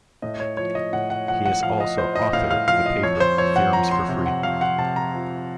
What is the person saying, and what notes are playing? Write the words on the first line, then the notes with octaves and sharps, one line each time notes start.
He is also author of the paper Theorems for free!
A2 D#5
C#5
F3 C#5
D#5
A2 F#5
F#5
F3 F#5
F#5
F3 F5
D#5
F3 C5
D#5
A2 F5
F5
F3 F5
D#5
F2 C#5
C5
F2 C#5
F#5
F3 A#5
C6
C3
F#5
F2 F5
F#5
C3 A5
A#5
F3